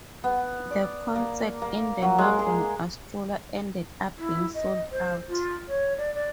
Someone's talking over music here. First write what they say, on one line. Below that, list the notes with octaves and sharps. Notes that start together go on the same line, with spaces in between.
The concert in the London Astoria ended up being sold out.
B3
D5
A#3
A#3
F#3
G#3
G#4
E4
D#5
C5
F4
C#5
D5
D5